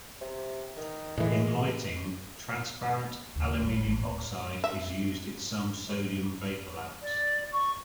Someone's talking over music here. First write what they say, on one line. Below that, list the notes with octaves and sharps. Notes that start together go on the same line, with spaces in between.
In lighting, transparent aluminium oxide is used in some sodium vapor lamps.
C3
D#3
A2 E3 G#3
D#2 C#3
G1 G2
A1
D1
E5
D5
C#6